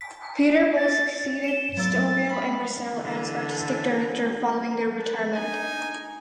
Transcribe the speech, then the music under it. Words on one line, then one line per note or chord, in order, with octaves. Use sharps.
Peter Boal succeeded Stowell and Russell as Artistic Director following their retirement.
B6
A6
D7 E7 G7
F#3 B3 E6 A6
G5 B5
D3 E3
B4 A5
D4 D#4 G#5